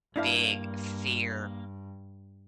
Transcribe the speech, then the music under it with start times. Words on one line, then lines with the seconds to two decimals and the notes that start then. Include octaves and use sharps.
big fear
0.16 G2 A#3 D4 E4 F5